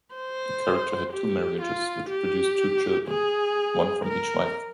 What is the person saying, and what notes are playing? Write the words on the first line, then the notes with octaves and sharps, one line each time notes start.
The character had two marriages which produced two children - one from each wife.
C5
G4
F4
G4
G#4
A#4